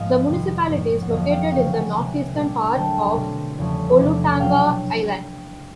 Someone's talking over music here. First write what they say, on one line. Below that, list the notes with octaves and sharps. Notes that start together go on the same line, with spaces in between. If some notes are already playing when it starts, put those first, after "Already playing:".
The municipality is located in the northeastern part of Olutanga Island.
Already playing: G#2 F3 G#3 B3 D#5 F5
F2 C3 D#3 G3 B3
G#2 F3 A#3 C#4
F#5
F2 D3 F#3 A#3 C#4 D#5 F5
F5 G5
C#3 F#3 A#3 C#4 F5 G5
F#5 G#5
C3 E3 G#3
A#2 G3 A#3 D4
D3 F#3 A3 G5 A5
B2 G3 C4
E2 C#3 F3 A3 C#4
E2 C3 E3 A3 D4
B2 F#3 F5 G5